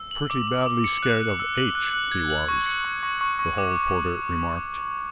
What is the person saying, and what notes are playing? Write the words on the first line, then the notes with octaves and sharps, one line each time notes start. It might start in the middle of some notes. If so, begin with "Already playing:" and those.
"Pretty badly scared of H----he was!" the hall porter remarked.
Already playing: E6
F#7
D6
D6
D6
C#7
F#6
F#6
E6
F#7
F#6
F#6
G#6
F#7
C#6
C#7
C#6
C#6
C#6
C#6
D6
D6